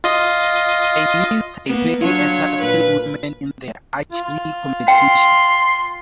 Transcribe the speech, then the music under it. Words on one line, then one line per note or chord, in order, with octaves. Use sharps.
Chinese Taipei entered three women in the archery competition.
F4 D#5
A#3 B3
F#3 D4 F4 C#5
A#2 B4
F4
G5 C6